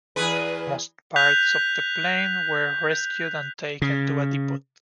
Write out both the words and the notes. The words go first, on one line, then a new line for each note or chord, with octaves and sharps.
Most parts of the plane were rescued and taken to a depot.
E2 G#4 B4
F#6 G6 B6 F7
C#3